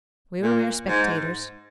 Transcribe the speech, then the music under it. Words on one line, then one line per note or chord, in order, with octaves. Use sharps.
We were mere spectators.
A#2
G#2